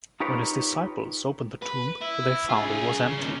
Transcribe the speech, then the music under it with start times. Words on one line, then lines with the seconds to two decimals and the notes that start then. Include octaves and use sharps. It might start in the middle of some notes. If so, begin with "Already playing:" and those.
When his disciples opened the tomb, they found it was empty.
0.20 D#4 F4 G4 A#4 B4 C#5
1.62 B4
2.01 E4
2.49 F4 G#4
3.06 C#3
3.17 D#2 C#4